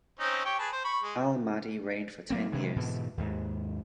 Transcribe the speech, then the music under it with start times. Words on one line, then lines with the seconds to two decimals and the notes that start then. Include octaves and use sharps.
Al-Mahdi reigned for ten years.
0.20 C4 C#4 D#4
0.45 G4 C#5 G5
0.59 G#4 B4 A5
0.73 C5
0.84 B5 C#6
1.03 G#3
2.30 F#3 A#3 C4
2.52 C3 D#3 E3 G#3
2.76 G#2 B2 D3 E3
3.17 D#2 G#2